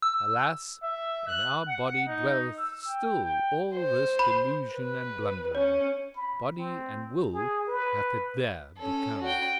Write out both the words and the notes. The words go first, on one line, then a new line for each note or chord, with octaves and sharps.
Alas! in our body dwelleth still all this delusion and blundering: body and will hath it there become.
E6
E5
F#6
F#5
D#4
E6
G5
G5
C5
B5
B4
C#4 C#5
B5
C4
G#4
B4
C#4 A4
F#4 G5